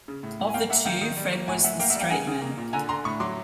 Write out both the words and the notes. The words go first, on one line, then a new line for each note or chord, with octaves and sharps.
Of the two, Fred was the "straight man".
C#3
A2
A2
G#5
A#3 F5 G5
A#3 E5 F#5
D#3 F5 G5
D#3
G3
A#3
A2 F#5 G#5
A2 E5 F#5
A#3 F5 G5
E5 F#5
G3
F5 G5
C#3 F#5 G#5
C#3
A#3
A#2
D3 G#5 A#5
D3 A#5 C6
A2 B5 C#6
F#3 C6 D6